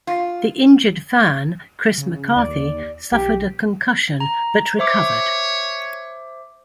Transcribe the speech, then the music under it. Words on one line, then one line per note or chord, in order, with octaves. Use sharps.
The injured fan, Chris McCarthy, suffered a concussion but recovered.
F4
C#3
D#2 D5
B1 G4
A#5
C5 C#5 E5 D6